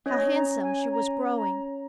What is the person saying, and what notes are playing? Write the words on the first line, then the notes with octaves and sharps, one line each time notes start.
How handsome she was growing!
C#4 C#5 D#5
A#5
G#5
A#5
A#5